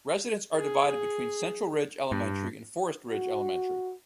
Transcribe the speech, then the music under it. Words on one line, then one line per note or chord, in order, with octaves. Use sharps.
Residents are divided between Central Ridge Elementary and Forest Ridge Elementary.
G#4
G2
F#4